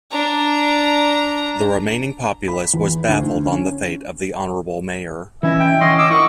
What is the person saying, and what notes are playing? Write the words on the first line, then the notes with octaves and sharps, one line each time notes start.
The remaining populace were baffled on the fate of the honorable mayor.
D4 A#5
B5
E2
D2
D2
C#4
E3 C#4 E4 D#5 E5
G5
D3 E3 C#4 D#5 F#5 C6
D#5 D6 E6
E4 A#4 F#5 C#6